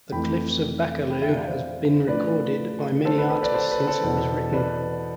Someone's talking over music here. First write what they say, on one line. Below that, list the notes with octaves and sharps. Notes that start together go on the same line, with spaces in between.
"The Cliffs of Baccalieu" has been recorded by many artists since it was written.
F2 E3 A3 G5 B5
G5 B5
E5 G5
D5 F5
C5 E5
A2 F3 A3 B4 D5
A4 C5
B4
B4
B4 D5
A4 C5
B4
A4 C5
E2 B2 B3
B4 D5